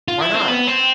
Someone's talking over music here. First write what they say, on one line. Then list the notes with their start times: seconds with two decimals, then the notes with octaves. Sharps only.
Why not?
0.08 F4
0.21 E4
0.35 C4
0.48 B3
0.67 C4